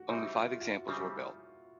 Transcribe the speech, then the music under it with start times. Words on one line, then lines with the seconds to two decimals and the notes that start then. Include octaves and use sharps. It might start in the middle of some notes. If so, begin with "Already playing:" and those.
Only five examples were built.
Already playing: F#4
0.08 C#3 E3 G3 C4 D#4 E4
0.34 F4
0.52 F4
0.61 F#4
0.88 C#3 E3 G3 C4 D#4